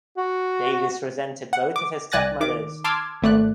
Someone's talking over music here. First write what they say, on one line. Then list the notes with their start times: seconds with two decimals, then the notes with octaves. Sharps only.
Davis resented both of his stepmothers.
0.17 F#4
1.53 F#5
1.76 D6
2.12 C2 D5 G#5 F#6 A6 A#6
2.40 D#3 D6
2.84 A5 C6 D6 E6 F6 G#6
3.22 G#1 A3 D5 F#6